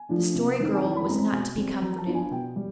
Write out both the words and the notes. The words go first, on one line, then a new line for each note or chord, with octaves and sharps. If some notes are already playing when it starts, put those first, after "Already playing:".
The Story Girl was not to be comforted.
Already playing: G#5
F3 A3 D4
C3
D#3 G3 C4 D#4
G#5
E3 A5
B5
G#3 C4 A#5
B2 G#5
G3 C4
F#3 A#5
A5
B3 D4 F4
G#5
B2 G5
G3